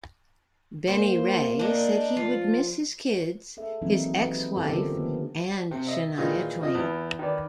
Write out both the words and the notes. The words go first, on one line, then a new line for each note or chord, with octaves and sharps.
Benny Ray said he would miss his kids, his ex-wife and Shania Twain.
A#3 C5
D4 D#4
F3 F4
G#4 A4 E5
E3 F#3 A#3 C4 D#4
G4 B4
A3 B3 C#4 G4 A4
D3 F4 A#4 C5
D#3 A#3 B3
C3
D#5 E5
A#2 D#3 E3 G#3 D#4 F4
F3 C4 D#5 D#6
E2 E3
D#3 B4 D5